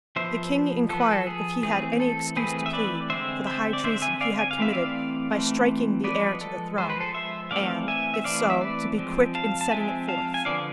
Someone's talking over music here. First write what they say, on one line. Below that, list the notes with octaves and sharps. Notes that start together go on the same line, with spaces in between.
The king inquired if he had any excuse to plead for the high treason he had committed by striking the heir to the throne, and, if so, to be quick in setting it forth.
F3 B3 C5 E5
F3 B3 A4
B4
A4
G#4
E3 A3 C4 G#4
A4
E3 A3 C4 G#4 B4
E5
B4 D5
D3 G#3 C4 C5 E5
C5 E5
D5
D3 G#3 C4 C5 E5
E5 G#5
D5 F5
G#5
F5
E3 A3 C4 E5
D5 F5
E3 A3 C4
F3 G#3 B3 B4 D5
A4
F3 G#3 B3 C5
B4
A4 C5
C5 E5
E3 A3 C4 D5 F5
E5 G#5
E5
E3 A3 C4 D5 F5
E5
B4 D5
F3 G#3 C4
F5 A5
A5
F3 G#3 C4 E5 G#5
F5 A5
G#5
D3 F3 B3 D5 F5